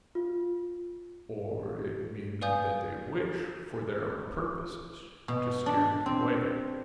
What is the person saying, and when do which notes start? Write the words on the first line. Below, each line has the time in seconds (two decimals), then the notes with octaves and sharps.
"Or it may be that they wish, for their own purposes, to scare me away."
0.15 F4
2.41 B4 D5 F5 G#5 D#6 G6
5.28 B2
5.66 D4
6.06 C4